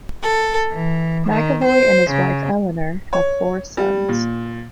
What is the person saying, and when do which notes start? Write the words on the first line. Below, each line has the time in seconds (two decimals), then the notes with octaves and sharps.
McAvoy and his wife Eleanor have four sons.
0.22 A4
0.71 E3
1.28 D#3
1.65 C5
2.11 C#3
3.13 C#5
3.77 G3
4.09 A#2